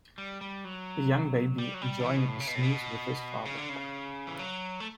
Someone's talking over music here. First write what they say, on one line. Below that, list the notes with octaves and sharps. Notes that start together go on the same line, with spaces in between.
A young baby enjoying a snooze with his father.
G3
G3
F#3
G3
F#3
G3
D3
E3
B2
A2
C#3
B2
A2
B2
C#3
D3
C#3
E3
F#3
A3